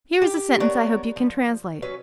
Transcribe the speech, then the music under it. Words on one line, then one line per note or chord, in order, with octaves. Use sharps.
"Here is a sentence I hope you can translate."
G4
B3 D4 A#4 C#5
F3
F#3 C#4 B4